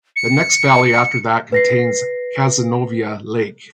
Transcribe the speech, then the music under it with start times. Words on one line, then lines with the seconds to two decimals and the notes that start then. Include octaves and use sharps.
The next valley after that contains Cazenovia Lake.
0.16 C#7
1.52 B4 A#6 C7